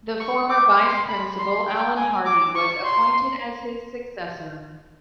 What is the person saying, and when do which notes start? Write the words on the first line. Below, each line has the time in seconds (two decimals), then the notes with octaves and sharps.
The former Vice-Principal, Allan Hardy, was appointed as his successor.
0.20 C#6
0.50 D6
0.80 C6
1.09 B5
1.39 C6
1.68 G5
1.97 G#5
2.26 D6
2.55 C#6
2.84 C6